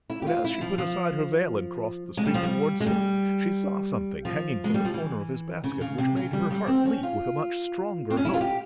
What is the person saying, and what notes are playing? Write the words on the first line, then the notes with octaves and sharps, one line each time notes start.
But as she put aside her veil and crossed the street towards him, she saw something hanging from the corner of his basket which made her heart leap with a much stronger hope.
E4
G4
F4
E4
F3
F3
G#3
G3
F3
G3
G#3
G3
F3
G#3
G3
F3
E3
C#3
C#3
C3
C#3
G3
G3
C4
C#4
F4
C4
C#4
E4
F4
G4